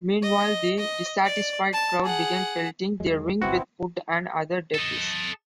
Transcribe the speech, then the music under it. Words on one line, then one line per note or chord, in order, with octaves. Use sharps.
Meanwhile, the dissatisfied crowd began pelting the ring with food and other debris.
D#5
D#5
D5
A5
G#4 F#5
E2 F#3 G#3
G1 C2 G#2 B3 C4 E4 F#4
A4 D#5